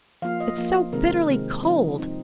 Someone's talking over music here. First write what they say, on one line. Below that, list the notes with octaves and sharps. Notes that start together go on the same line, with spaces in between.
It's so bitterly cold.
F3 A#3 F4 F5
D#5
F3 A#3 F4
C3 D#3 G#3 C4 A#4
C3 D#3 G#3 C4
F3 C4 D#4
F3 C4 D#4